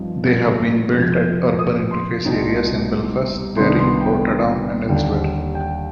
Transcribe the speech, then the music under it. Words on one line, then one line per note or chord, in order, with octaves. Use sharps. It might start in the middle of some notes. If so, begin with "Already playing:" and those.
They have been built at urban interface areas in Belfast, Derry, Portadown and elsewhere.
Already playing: G2 F3 C4 D#4
G#6
F2 C3 F3 G#3 C4 G6
G#6
G6
D#6
C6
C2 B2 G3 C4 D#4
C2 C3 D#3 B3 D4 C6
C6
G5
D#2 D3 G3 G5
G5